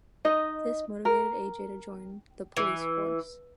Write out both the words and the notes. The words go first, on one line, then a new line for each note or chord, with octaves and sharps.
This motivated Ajay to join the police force.
D#4 D#5
A#4
E3